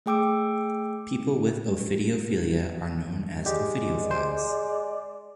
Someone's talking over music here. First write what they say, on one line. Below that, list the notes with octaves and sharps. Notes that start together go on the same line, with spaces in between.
People with ophidiophilia are known as ophidiophiles.
A3 G#4 G5 D6 E6 D7
G#3 G4 D5
C5